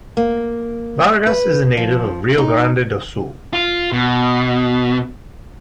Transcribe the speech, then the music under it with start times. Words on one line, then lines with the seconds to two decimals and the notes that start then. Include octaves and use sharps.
Vargas is a native of Rio Grande do Sul.
0.17 A#3
1.27 B4
1.77 F3
2.38 D#4
3.53 F4
3.92 B2